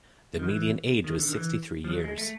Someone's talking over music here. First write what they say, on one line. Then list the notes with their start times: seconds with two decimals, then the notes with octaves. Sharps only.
The median age was sixty-three years.
0.39 D#3
0.48 E3
1.04 D#3
1.19 D3
1.28 D#3
1.33 E3
1.84 F3
1.89 F#3
2.04 G#3
2.18 A3